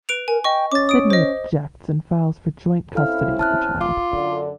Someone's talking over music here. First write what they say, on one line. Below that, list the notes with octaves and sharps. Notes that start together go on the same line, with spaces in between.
Sidney objects and files for joint custody of the child.
B4 D7 F7
A#4 G#5
D#5 G5 C#6
C#4 D6 A6
D#6 D7
C5 D#5
C4 C#4 E4 A4 F5 F6
A5 F6 F#6
F4 D6
F#2 D3